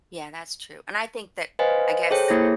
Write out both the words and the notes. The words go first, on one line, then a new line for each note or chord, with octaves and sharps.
Yeah, that's true. And I think that, I guess,
B4 C5 D#5 F5 G#5
G#4 A4 C5 C#5 G5
A#3 E4 G#4 C#5 A#6